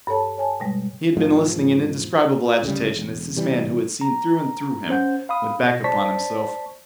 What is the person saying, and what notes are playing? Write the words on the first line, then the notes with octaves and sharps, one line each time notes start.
He had been listening in indescribable agitation, as this man who had seen through and through him, went back upon himself.
G2 A4 C#5 A5
C#5 G#5 A5
B2 G3 G#3
E1 G#2 F3 G#3
D2 C#3 G3
E1
C3 E3 G3
A#5
C#4 C5 F#5 G6
F5 B5 D#6
B2 A#6
C5 D5 A5 C#6 B6